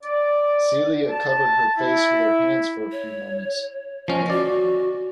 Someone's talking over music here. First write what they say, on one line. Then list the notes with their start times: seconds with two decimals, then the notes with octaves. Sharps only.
Celia covered her face with her hands for a few moments.
0.03 D5
1.09 A5
1.77 E4
2.92 C#5
4.08 F3 C#4 D#5
4.30 F#4 D5